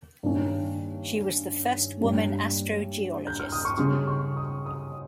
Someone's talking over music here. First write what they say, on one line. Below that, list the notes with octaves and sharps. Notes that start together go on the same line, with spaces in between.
She was the first woman astrogeologist.
G2 D#3 A#3 C#4
G2 G3 A#3 C#4
G6
F6
D#6
C#6
C#3 G3 C#4 C6
C#6
D#6
D#6